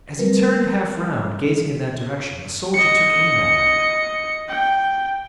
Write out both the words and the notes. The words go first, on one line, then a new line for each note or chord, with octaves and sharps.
As he turned half round, gazing in that direction, a soldier took aim at him.
G3 A3 C4 A#4 B4
D#5 C#7
G5